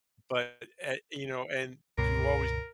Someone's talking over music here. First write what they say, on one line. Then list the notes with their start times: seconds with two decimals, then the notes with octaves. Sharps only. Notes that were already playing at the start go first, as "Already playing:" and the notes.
but at you know, and you always,
1.98 C#2 G2 B2 A#4